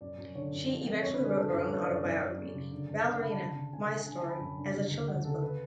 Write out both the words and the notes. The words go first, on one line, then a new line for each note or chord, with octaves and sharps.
She eventually wrote her own autobiography "Ballerina: My Story" as a children's book.
F#2 D5
F#2
D3 C#5
F#2
F2
F2
F2 C#5
B4
D3
G#4
D3 A4
F#2 B4
F#2 C#5
D5
F#2 C#5
F#2 D5
F#2
F#2
C#3
D3
F#2
D3 F5
F#5
D3 B5
A5
C#3
C#3
C#3 G#5
C#3
D3 G#5
A5
D3 B5
F#2
D3
C#3
D2
D2 F#5
C#3 A4
B4